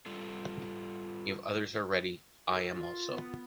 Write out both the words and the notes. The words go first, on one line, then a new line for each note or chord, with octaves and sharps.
If others are ready, I am also.
G3 F4 A4
D#4 F#4 A4 A#4
F4
B3